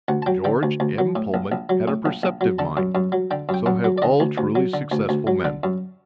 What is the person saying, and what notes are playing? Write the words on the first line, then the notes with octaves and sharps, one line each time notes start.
George M. Pullman had a perceptive mind--so have all truly successful men.
D2 F#5
A5
F#3 G5
D3 G5
D2
D2
F#3
A2
A#1
A#1
F#3
A2
A#1
A#1
F#3
D3 A5
F#2
F#2
F#3
D3 G5
F#2
G5
F#2 F#5
F#3
D5
D3 D#5
D2
D2
F#3
D3
D2
D2
F#3
D3
F#2